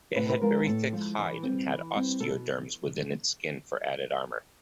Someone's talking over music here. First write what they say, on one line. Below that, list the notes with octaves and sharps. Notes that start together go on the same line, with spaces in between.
It had very thick hide and had osteoderms within its skin for added armor.
A2 B4
B4
F3 G#3 A#4
A2 A4
F3 G#3
E3
C4
G3
E3
G3 C4
B2 A4